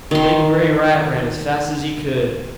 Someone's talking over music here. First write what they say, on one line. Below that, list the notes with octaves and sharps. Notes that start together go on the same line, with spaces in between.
The big grey rat ran as fast as he could.
D#3 C6